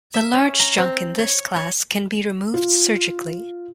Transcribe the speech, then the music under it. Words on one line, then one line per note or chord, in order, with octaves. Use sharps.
The large junk in this class can be removed surgically.
E5
C#4
A#5
C4
C#5
C#5
F4